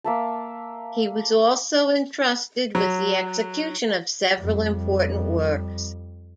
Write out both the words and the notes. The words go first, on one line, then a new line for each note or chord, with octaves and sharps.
He was also entrusted with the execution of several important works.
A#3 E5 A5
F#3
F2 G3